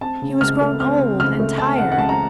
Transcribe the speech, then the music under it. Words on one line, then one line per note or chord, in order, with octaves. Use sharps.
He was grown old and tired.
C4 A5
C#3
C#2 F6
A3
C4 F6
C#3
C#2 F6
A3
C4 A5
C#3 F#5
F#5
C#2 A5
A#5